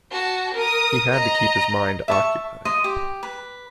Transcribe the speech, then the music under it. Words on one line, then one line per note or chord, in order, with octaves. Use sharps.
He had to keep his mind occupied.
F#4 A5
A#4 D#6
D#5 A#5
E5 A5 C#6
D#5 C6
G4
B4